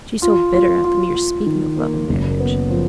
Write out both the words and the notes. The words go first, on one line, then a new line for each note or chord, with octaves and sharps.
She's so bitter at the mere speaking of love and marriage.
F4
F4
F4
F4
D#3
A#3
F#1
B3
F3